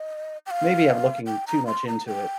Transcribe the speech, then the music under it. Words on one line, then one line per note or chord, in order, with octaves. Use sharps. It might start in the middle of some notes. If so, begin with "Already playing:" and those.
Maybe I'm looking too much into it.
Already playing: D#5
G5
F5
G5
A#5
C6
A#5
G5